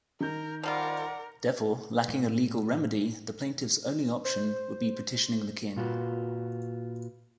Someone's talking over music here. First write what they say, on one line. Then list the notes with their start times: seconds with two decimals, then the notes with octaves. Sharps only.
Therefore, lacking a legal remedy, the plaintiff's only option would be petitioning the King.
0.20 D#3 A#4 G6
0.63 F3 G3 F4 A#4 D5 F#5
2.08 A2
4.25 C5
5.76 A#2 F4 F#4 B4